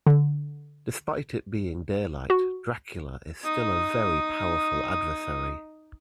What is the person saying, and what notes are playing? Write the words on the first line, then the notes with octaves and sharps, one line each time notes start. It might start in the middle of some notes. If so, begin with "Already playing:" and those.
Despite it being daylight, Dracula is still a very powerful adversary.
D3
F#4
D#4 D#6